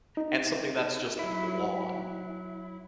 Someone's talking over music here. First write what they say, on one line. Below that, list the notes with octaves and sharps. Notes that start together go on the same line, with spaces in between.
and something that's just long.
D#4
F#3 E4